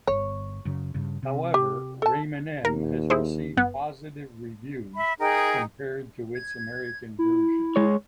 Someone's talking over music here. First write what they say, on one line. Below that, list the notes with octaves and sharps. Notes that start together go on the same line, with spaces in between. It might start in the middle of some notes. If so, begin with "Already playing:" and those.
However "Rayman M" has received positive reviews compared to its American version.
G1 C#5
F#2 C#3
G2 C#3
C3
G4
A4 A5
D#2 A#4
E4 G#4 C5
G1 B3
E5 B5
D#4 G#4 A#4 G5
G#6
E4
G#3 C#5